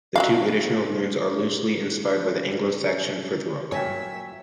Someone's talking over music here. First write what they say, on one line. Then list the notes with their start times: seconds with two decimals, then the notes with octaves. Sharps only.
The two additional runes are loosely inspired by the Anglo-Saxon Futhorc.
0.16 F#3 F#4 F5
3.72 A#2 F#3 C#5 E5 G5 G#5